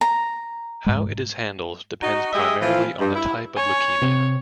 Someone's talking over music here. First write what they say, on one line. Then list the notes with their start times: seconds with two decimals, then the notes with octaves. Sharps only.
How it is handled depends primarily on the type of leukemia.
0.01 A#5
0.86 G#2 G#3
2.02 D#4 F#4
2.33 G#3 G4 D#5 E5
2.61 E3 F3 C4 F4
2.99 G2
3.15 E4
3.57 C#5 G#5
4.02 C3 C4